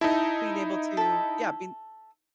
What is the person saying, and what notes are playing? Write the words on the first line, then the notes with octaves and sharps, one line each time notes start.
being able to, yeah, being
D#4 E4 A4 D#5 E5
A4 E5